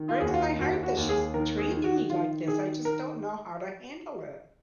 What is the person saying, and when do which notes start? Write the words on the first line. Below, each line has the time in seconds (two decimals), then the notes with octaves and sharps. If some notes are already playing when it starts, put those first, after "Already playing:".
breaks my heart that she's treating me like this, I just don't know how to handle it.
Already playing: D#3
0.09 F4
0.20 D#2 G#4
0.27 F#4
0.34 F4
0.59 D#2 F#4
0.83 F#4
0.97 D#2
1.09 G#4
1.33 D#3 A#4
1.59 G#4
1.71 D#3
1.84 F#4
2.10 D#3 F4
2.46 D#3 G#4
2.85 A#4